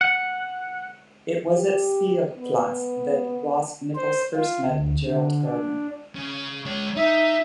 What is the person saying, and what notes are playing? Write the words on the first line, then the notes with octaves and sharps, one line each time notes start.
It was at Spielplatz that Ross Nichols first met Gerald Gardner.
F#5
G4
B3
C5
F4
D2
D3
D4
C#3
G#3 C#5
D#4 E5